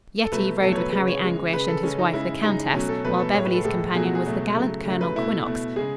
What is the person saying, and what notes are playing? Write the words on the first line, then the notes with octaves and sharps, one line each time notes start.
Yetive rode with Harry Anguish and his wife the countess, while Beverly's companion was the gallant Colonel Quinnox.
A4
B2 F#3 A3 B4
B2 F#3 A3 A4
C#5
B4
C#3 G#3 B4
C#5
C#3 G#3
C#3 G#3 B4
A4
C#3 G#3 C#4
D#4
C#3 G#3 E4
C#3 G#3 D#4
B2 F#3 A3 C#4
A4
B2 F#3 A3 B4
A4
A2 G#3 C#5
B4
A4
A2 G#3 A4
B2 F#3 A3 G#4
F#4
G#4
B2 F#3 A3
C#3 F#3 A3
C#3 F#3 A3
B4
B2 A3 E4
B2 A3
C#3 G#3 G#4